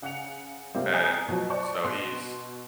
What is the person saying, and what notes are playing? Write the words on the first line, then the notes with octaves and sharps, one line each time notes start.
And so he's,
C#3 F#5 F#6 C#7 F7
C3 G3 A#3 C4 G4
G5 G#5 A#5 D#6 G6
B2 F3 F#3
C5 D5 A5 C#6 F#6
B2 C6 F#6 C7